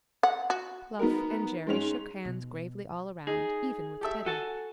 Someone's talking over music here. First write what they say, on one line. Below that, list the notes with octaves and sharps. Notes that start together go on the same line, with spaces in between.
Bluff and Jerry shook hands gravely all around, even with Teddy.
F#5
F#4
B3 D#4 F#4 A#4
G#2 G#3 C#4 F7
B2
D#4 G#4
G4 A4 E5
F#4 A4 G#5 A5